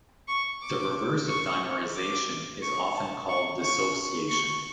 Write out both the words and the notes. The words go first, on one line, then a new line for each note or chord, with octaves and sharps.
The reverse of dimerisation is often called dissociation.
C#6
D6
C#6
D6
C#6
A5
C#6
C#6
C#6